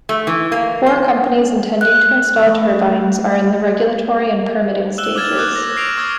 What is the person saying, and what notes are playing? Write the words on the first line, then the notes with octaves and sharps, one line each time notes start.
Four companies intending to install turbines are in the regulatory and permitting stages.
A3
E3
A#3
C5
F#6
A3
E6 F#6 E7 F#7 G7
D6 E6 F6 G#6 A6 E7
D6 D#6 F#6 G6 E7
A#6
C#6 A#6 C7 D7 F7
C#6 D#6 G#6 G7